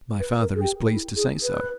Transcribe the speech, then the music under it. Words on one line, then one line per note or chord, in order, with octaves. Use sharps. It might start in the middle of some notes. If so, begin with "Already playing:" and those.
'My father is pleased to say so.'
B4
A#4
G#4
G4
E4
G#4
B4